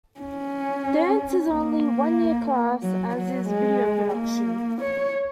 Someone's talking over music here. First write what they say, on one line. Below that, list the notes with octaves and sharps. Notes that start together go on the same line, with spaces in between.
Dance is only a one-year class, as is Video Production.
C#4
A#3
F#3
F#3
G#3
A#3
C#5